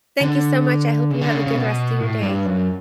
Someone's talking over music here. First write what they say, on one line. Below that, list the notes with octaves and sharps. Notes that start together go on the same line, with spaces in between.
thank you so much, I hope you have a good rest of your day.
D3
C#3
D3
C#3
C#3
B2
A2
G2
F#2